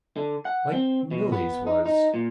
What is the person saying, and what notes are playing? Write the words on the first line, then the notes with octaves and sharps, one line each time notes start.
Like Milly's was.
D3
F#5
C4
B2
B3
D#4
D#4
A#2